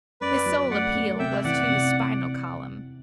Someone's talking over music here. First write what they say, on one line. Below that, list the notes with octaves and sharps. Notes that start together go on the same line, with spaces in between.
His sole appeal was to the spinal column.
F#2 B4 D5
F#3
A3 D5 F#5
A3
C3 E5 G5
E3 D5 F#5
C3